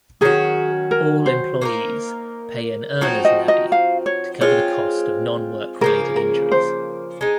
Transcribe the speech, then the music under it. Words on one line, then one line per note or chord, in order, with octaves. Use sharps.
All employees pay an earner's levy to cover the cost of non-work related injuries.
D#3 F#3 C#4 F#4 G#4
A#4
C5
A#3 D#4 F#4 A#4
F3 C4 D#4 F#4 C#5
D#5
D#5
F5
C#5
G#3 C4 F4 C#5
C#3 F3 A#3 A#4
A#4
C5
G#3 D#4